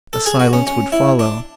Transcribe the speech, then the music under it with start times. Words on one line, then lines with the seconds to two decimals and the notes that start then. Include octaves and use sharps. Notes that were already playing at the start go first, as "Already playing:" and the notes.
A silence would follow.
0.13 A4
0.26 G#4
0.40 F#4
0.53 C#4
0.67 C#4
0.92 E4
1.19 D4